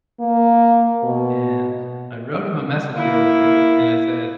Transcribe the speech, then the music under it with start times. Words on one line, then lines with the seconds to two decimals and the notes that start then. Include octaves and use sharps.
and I wrote him a message the other day, and I said,
0.20 A#3
1.04 B2
2.93 A#3 E4